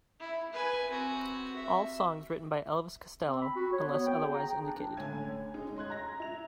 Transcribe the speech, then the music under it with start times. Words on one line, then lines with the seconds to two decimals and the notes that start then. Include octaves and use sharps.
All songs written by Elvis Costello unless otherwise indicated.
0.20 E4
0.53 B4 G#5
0.89 C4 F#4
1.55 E5
3.28 C4
3.42 B5
3.56 F#4
3.73 C#5
3.86 B3
4.06 G5
4.22 G#4
4.34 A#5
4.49 G5
4.66 D4
4.97 A2 D3 C#4 G#5 G#6
5.54 G#3 C#4 D#4
5.77 D#5 C6 F#6 G#6
5.90 A#5 A#6
6.20 E4 F7